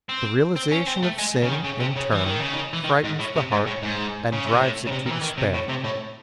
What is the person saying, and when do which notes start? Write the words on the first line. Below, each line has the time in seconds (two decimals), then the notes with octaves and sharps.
The realization of sin in turn frightens the heart and drives it to despair.
0.09 C4
0.56 C4
0.72 C#4
0.87 C4
1.03 A3
1.19 G#3
1.42 C#3
1.49 D#3
1.64 C#3
1.80 C3
1.96 C#3
2.11 E3
2.25 D#3
2.39 C#3
2.53 D#3
2.73 E3
2.84 D#3
3.05 G#2
3.20 A2
3.36 C3
3.52 G#2
3.67 A2
3.83 G#2
4.32 C#3
4.47 C3
4.61 A2
4.87 C#3
4.91 C3
5.06 D#3
5.12 E3
5.22 D#3
5.38 C3
5.54 A2
5.69 C3
5.84 A2